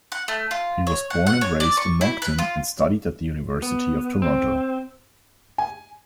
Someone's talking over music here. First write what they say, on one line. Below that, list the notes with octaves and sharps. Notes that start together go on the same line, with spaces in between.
He was born and raised in Moncton, and studied at the University of Toronto.
F#5
A3
F4
C#5
F#5
F#5
C#5
D5
C#6
E4
B4
F4
B3
C4
G#5